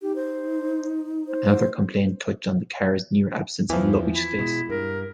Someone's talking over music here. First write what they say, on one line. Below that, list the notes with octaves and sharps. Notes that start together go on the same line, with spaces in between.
Another complaint touched on the car's near absence of luggage space.
D#4 G4
C5
C5
E2 E3 F3
E4
B2 G#3
G2 A#4